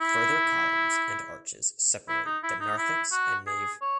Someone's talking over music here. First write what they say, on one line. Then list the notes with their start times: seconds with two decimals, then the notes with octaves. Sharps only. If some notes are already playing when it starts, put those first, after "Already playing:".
Further columns and arches separate the narthex and nave.
0.01 E4
2.09 E4
2.26 D#4
2.43 E4
2.61 D#4
2.78 E4
3.12 F#4
3.47 G#4
3.82 C#5